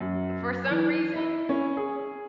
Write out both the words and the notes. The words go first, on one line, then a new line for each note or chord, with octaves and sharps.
For some reason,
F#2
E3
E4
C#4
G#4